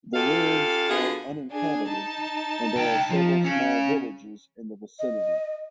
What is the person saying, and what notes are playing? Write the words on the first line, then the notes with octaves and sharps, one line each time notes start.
The ruins are uninhabited and there are several small villages in the vicinity.
C#3 F4 G4 A4 F5
D3 B3 F4 F#4 G#4
D4 G#4
D#4 A5
C#2 G5
F3
C#4 G#4
D#5